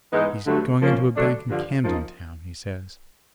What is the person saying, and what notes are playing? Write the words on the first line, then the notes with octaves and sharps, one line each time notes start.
He's going into a bank in Camden Town, he says.
G#2 E3 G#3 B3 D#4
G2 D3 F#3 A3
F3 A#3 C#4
G2 D3 F#3 A3 D4
G2 D3 F3
C#3 F3 A#3 D#4